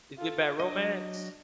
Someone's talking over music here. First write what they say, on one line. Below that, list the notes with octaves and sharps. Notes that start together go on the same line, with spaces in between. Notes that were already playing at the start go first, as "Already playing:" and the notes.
is it Bad Romance?
F4 A4
F#3 D4 D#5